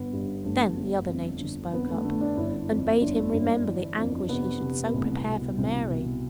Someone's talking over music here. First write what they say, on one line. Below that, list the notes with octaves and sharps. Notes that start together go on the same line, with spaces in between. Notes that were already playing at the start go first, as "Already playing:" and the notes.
Then the other nature spoke up, and bade him remember the anguish he should so prepare for Mary!
Already playing: G1 B3
G2
G1 A3
G1
F2
D3
F2 B3
A3
D3 A3
D4
G1 E4
F2
G1 D4
G1
E3
F2
C3 B3
C3
B3
C2 A3
B2
C2
B2